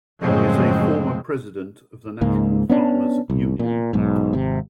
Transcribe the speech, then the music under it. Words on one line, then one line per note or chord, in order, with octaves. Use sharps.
He is a former president of the National Farmers Union.
F#2 A2 C#3 F3 G#3 C4
C#2 G#2 A#3
B3 C#4 D4
C2
A#2
B1 G#2
G#1 C3